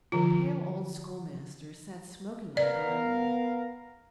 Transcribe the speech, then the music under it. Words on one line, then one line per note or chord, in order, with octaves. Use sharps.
The pale old schoolmaster sat smoking in the garden.
D3 F3 F4
B3 A#4 D5 F5